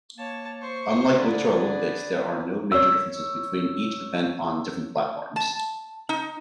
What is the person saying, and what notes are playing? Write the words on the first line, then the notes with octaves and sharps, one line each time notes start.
Unlike "Winter Olympics", there are no major differences between each event on different platforms.
A#3 C#5 A5
C5 C#6
D3 G#4 B4 D5
C#5 E6
A5
D#4